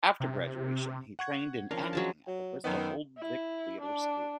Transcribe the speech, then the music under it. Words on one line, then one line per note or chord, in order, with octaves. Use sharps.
After graduation he trained in acting at the Bristol Old Vic Theatre School.
C3
F#5 C#6 G#6
F3 C#4 D4 A#4 F5
F#3 G#3 A5
F#3
F#2 D#3 B3
E4
D4